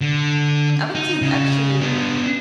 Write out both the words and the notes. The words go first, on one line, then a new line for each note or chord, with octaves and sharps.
I like to actually
D3
D#4
C#3
B3 D4